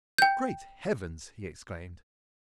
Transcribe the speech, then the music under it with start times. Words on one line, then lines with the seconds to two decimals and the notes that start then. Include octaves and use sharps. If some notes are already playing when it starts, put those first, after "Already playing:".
"Great Heavens!" he exclaimed.
0.18 G5 G6